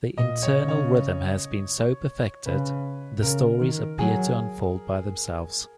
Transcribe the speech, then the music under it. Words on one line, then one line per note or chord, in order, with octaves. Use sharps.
The internal rhythm has been so perfected, the stories appear to unfold by themselves.
A#2 D#5
C#5
C#3
C#5
C#3 B4
C#3 A#4
D#3
F#3 G#4